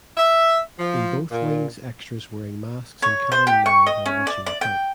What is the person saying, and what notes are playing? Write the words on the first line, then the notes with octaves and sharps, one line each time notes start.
In both wings extras wearing masks and carrying knives are watching the fight.
E5
F3
A#2
C#5
C5
G4
C#6
D#5
C#4
D5
D5
G5